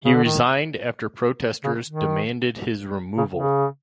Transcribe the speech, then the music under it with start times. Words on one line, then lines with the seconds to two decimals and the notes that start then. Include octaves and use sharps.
He resigned after protesters demanded his removal.
0.05 C#3
0.15 D3
0.24 D#3
1.64 C#3
1.87 D#3
3.18 C#3
3.33 C#3